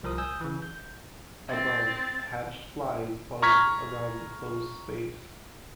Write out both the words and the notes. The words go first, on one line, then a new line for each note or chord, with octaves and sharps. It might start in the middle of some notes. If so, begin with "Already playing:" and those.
Above, hatched flies buzz around in the closed space.
C2 F3 A#4 D#6
G#5 D#6 E6 G6
C#3 E3
G6
C4 A6
A#5 C#6 F6 G#6 B6